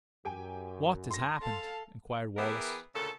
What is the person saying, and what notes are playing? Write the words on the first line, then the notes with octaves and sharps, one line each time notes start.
"What has happened?" inquired Wallace.
F#2 G4 G5 G#5
C6 A#6
A4 F5 A5
E3 B3 G4 G#4 A#4 E5
D2 A#2 C#3 A4